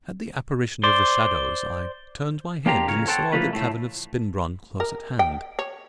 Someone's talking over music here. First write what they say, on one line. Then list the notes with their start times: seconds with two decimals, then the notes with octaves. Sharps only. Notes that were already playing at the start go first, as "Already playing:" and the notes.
At the apparition of the shadows I turned my head and saw the cavern of Spinbronn close at hand.
0.84 C5 D5
2.66 A#3 D4 G4 C5 A#5
2.86 F2 C#3 A#4 C#5
3.07 A4 C5 C#5 F#5 G5 A5
3.32 C#3 E3 F3 A3 A#3 B4
3.53 A2 A3
4.80 A#4
5.19 G5
5.59 C#5